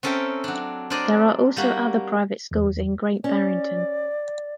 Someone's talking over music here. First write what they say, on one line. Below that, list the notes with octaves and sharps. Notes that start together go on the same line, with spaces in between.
There are also other private schools in Great Barrington.
C4 C#4 A4 A#4 E5 G5
F#3 D4
D4 A#4 C5 D5 D#5
G3 A#3 F#4
E2
C#4 D5